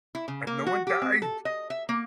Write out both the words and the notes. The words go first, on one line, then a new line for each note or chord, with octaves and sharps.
And no one died.
E4
C#3
A#3
F#4
G4
C4
A4
D#5
E5
A#3